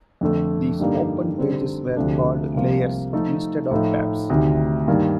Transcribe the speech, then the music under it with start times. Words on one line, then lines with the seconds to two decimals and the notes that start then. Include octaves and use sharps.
These open pages were called "layers" instead of tabs.
0.21 F2 D3 A3
0.80 G2 D3 G3 A#3 D#4
1.38 D3 G3 C4
1.96 D2 C3 F3 A3 D4
2.54 C2 C3 F3 A#3
3.13 F3 A3 D#4 A4
3.71 A2 F3 A3 D#4
4.30 D2 C3 D#3
4.88 G2 D#3 A#3